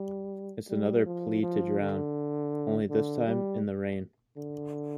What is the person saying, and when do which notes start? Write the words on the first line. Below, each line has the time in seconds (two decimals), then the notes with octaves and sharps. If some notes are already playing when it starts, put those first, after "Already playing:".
It's another plea to drown, only this time in the rain.
Already playing: G3
0.70 G3
1.06 F3
1.42 F3
1.80 D3
2.90 D3
3.27 G3
4.38 D3